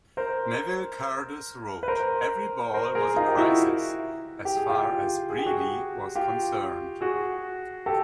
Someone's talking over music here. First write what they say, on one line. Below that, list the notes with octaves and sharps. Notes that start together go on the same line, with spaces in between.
Neville Cardus wrote "Every ball was a crisis as far as Brealey was concerned".
A#4 C5
B4
A#4 C5
A#4 C5
G#4 A#4
D#4 F4
G4
E4 F#4
G4
G#4
F4 G4
G#4
G4
F#4 G#4
F4 G4
F#4 G#4
G4 A4